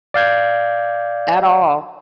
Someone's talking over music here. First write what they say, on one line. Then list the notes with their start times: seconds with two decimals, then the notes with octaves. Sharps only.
At all.
0.14 D5 F5 G6 G#6